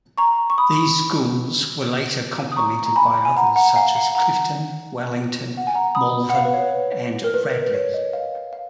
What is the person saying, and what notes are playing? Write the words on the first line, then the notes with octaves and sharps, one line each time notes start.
These schools were later complemented by others such as Clifton, Wellington, Malvern and Radley.
A#5 C#6
C#6
B5 D#6
D#6
A#5 C#6
A#5
G#5 B5
G#5
F#5 A#5
F#5 A#5
A#5
F5 G#5
F#5 A#5
F#5 A#5
F#5
G#5
F#5 A#5
B5 D#6
F#5
F5
B4
C#5
A#4
B4
C#5
D#5
F5
F5